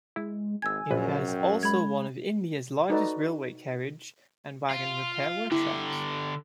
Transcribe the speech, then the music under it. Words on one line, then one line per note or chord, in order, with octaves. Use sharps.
It has also one of India's largest railway carriage and wagon repair workshops.
G#3 E4
G#1 G#5 E6 G#6
A#1 F#2 B4
G5
G#3 B5 G#6
D#4 F#4 A4 B4 D5 D#5
F4
D3 E4 G4